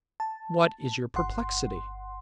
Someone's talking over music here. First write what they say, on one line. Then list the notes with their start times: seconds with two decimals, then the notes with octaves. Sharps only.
"What is your perplexity?"
0.20 A5
1.16 G1 F#5 C6